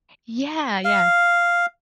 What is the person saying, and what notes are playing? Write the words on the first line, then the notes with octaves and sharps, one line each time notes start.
Yeah, yeah.
F5